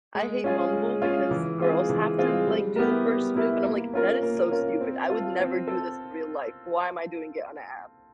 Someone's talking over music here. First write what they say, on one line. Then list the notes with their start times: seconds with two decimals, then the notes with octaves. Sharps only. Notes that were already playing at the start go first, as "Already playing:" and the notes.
I hate Bumble because girls have to, like, do the first move, and, I'm like, "That is so stupid. I would never do this in real life. Why am I doing it on a app?"
0.15 G#3
0.44 C#4 F4 G#4
0.73 G#3
1.02 C#4 F4 G#4
1.31 E3
1.60 G#3 C4 F4 G#4
1.89 E3
2.18 G#3 C4 F4 G#4
2.47 G3
2.76 B3 E4 G4 A#4
3.05 G3
3.35 B3 E4 G4 A#4
3.64 A#3
3.93 C#4 F4 A#4
4.23 A#3
4.51 C#4 F4 A#4
4.81 C4
5.10 F4 A4
5.40 C4
5.68 A4